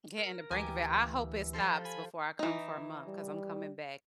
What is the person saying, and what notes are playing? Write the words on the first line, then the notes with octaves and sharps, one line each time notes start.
Getting the brink of it, I hope it stops before I come for a month, 'cause I'm coming back
A#4
D2 E3 G4 A#4 G#5
F3 A4 C5
G#5 B5
E3 D#4
G3